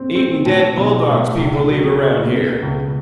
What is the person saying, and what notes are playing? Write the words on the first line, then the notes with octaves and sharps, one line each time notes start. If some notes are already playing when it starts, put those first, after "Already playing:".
"Eatin' dead bulldogs people leave around here."
Already playing: C4
C4
A2
B1
A2
C#2
F#3
C#3
B3
C#2